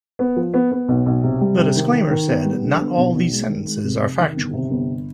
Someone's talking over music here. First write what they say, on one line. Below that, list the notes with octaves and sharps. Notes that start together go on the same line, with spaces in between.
The disclaimer said not all these sentences are factual.
B3
F3
B3
B3
B1
B1
C3
G3
C3
D#3
D#3
D#3
B3
G3
D3
B3
B1
B1
G#3
D#3
G#3
F1
F1
D#3
G1
C3
G1